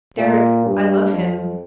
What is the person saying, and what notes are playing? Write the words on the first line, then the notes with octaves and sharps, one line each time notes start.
"Deryck--I love him."
A#2
G2
F2